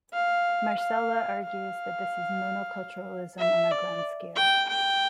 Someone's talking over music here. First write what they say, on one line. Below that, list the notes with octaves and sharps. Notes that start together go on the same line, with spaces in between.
Marsella argues that this is monoculturalism on a grand scale.
F5
F5
F5
E5
D5
G5
G5